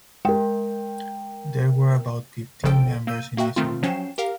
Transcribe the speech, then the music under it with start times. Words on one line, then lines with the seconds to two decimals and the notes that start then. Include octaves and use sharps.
There were about fifteen members initially.
0.25 G#3 A#4 G5
2.63 G#1 C#3 F3 A4 G5 D7
3.07 A#3 E6 G6 D#7
3.37 A#3 F#4 E5 G5
3.56 D#3 A3 C4 F4
3.83 F3 F#3 C#4 G5 C7 E7
4.18 G4 A#4 F5